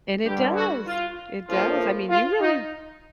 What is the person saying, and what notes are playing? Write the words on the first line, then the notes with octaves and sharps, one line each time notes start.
And it does, it does I mean, you really
G2 D3 G3 G4
F#4
F4
A#1 A2 F3 A#3 F4
F4
D#4